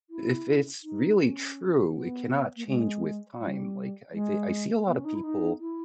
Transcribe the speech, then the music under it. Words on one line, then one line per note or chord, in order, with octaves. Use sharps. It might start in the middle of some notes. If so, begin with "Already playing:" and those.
if it's really true, it cannot change with time, like, I d I see a lotta people
E4
D#4
C#4
B3
A#3
G#3
G3
G#3
B3
C#4
D#4
E4
D#4
E4